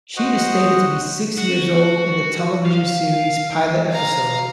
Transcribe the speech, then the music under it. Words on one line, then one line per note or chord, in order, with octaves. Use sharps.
She is stated to be six years old in the television series' pilot episode.
F#4 C5 D#5 F#5 D#6
F#4
F5
F5 A#5